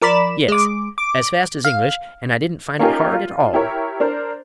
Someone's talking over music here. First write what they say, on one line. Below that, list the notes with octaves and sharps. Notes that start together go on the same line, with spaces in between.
"Yes, as fast as English--and I didn't find it hard at all."
F3 A#4 D5 B5 E7
G#3 D6
D6
F5
A#3 C#4 D#4 F4 G4 A#4
F4
E4 G4 A#4 C#5
D4 A#4 C5